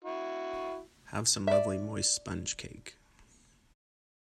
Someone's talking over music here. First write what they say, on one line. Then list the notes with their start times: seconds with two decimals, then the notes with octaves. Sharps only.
Have some lovely moist sponge cake.
0.05 E4 F#4
1.47 D5 E5